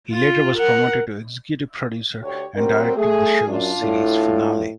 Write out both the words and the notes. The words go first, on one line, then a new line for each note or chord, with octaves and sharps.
He later was promoted to executive producer and directed the show's series finale.
F4
A#4 F#5
D2 G4 C#5
F#3 G3 C4 A#4
A3 G#4
F#2 D4 F4
A2